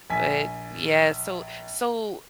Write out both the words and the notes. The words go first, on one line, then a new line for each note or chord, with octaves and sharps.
But yeah, so, so,
A#1 G#5 B6